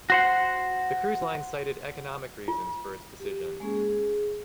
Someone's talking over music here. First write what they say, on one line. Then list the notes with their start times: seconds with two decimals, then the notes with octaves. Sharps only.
The cruise line cited economic reasons for its decision.
0.10 F#4 C5 F#5
2.48 F4
3.20 G4
3.60 G#3 A#3 C#4 G#4
3.76 G#4